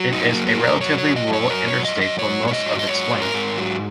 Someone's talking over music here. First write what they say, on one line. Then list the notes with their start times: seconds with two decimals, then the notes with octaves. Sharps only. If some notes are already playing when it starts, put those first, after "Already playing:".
It is a relatively rural interstate for most of its length.
Already playing: F#3
0.12 F#2 D#4
0.30 F#3 A#3
0.46 A#3
0.59 F#2
0.64 A#4
0.81 F#3 C#5
0.98 C#5
1.04 F#2
1.16 D#5
1.27 F#2
1.33 C#5
1.50 F#2 A#4
1.68 C#5
1.73 F#2
1.85 D#5
1.96 F#2
2.01 D#5
2.19 F#3 C#5
2.42 G#2
2.47 C#5
2.53 D#5
2.65 F#3
2.79 D#5
2.87 G#2 C#5
3.11 G#2
3.22 A#4
3.34 G#2
3.57 F#3